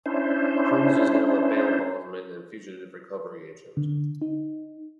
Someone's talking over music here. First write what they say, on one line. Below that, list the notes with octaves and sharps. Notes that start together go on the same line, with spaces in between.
Cruz is now a bail bondsman and fugitive recovery agent.
C#4 D4 E4 C5
D3
D#4